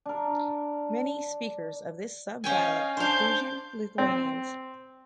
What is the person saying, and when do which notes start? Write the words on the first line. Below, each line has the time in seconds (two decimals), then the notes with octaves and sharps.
Many speakers of this subdialect were Prussian Lithuanians.
0.06 D4 A#4
2.44 C#4 D#5 F5 G5 G#5
2.97 D4 C5 F5 G6
3.98 C4